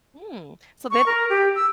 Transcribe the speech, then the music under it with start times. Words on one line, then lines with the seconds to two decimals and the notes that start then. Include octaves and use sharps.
Mm, so they th
0.91 C#6
1.06 A#4
1.30 G4
1.55 E6